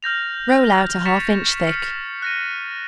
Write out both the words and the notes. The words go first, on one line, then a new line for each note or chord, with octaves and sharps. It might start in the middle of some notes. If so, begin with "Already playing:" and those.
Roll out a half inch thick.
F6 G6 A#6 F7
C#6 A6 B6 C#7 E7 F7
F6 C#7
F#6 A#6 D#7